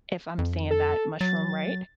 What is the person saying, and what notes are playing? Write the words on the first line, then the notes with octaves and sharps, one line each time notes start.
if I'm saying that mushroom right,
F2
A4
F#3 A6